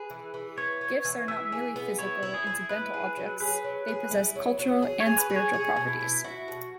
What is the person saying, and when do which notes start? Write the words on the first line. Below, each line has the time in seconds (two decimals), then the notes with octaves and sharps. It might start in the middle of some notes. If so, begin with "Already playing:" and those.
Gifts are not merely physical, incidental objects; they possess cultural and spiritual properties.
Already playing: G#4 B4
0.10 E3
0.34 E3
0.58 B3 C#5
0.81 B3
1.05 E3
1.28 E3 E5
1.52 G#4
1.76 B3
1.99 E4 C#5
2.23 E4
2.34 G#4
2.47 E4
2.69 E4 B4
2.94 G#4
3.17 F#3
3.40 G#4 B4
3.64 F#3
3.88 G#4
4.11 E4
4.35 F#3
4.59 F#3
4.82 G#4
5.00 C#5
5.06 G#4
5.18 B4
5.30 G#4
5.36 C#5
5.53 G#4 C#5
5.76 B2
5.88 E4
6.01 B2
6.24 E4 F#4
6.48 B2